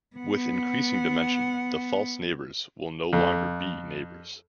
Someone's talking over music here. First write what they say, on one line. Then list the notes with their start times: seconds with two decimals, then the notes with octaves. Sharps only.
With increasing dimension, the false neighbors will no longer be neighbors.
0.17 B3 F#5
3.13 F2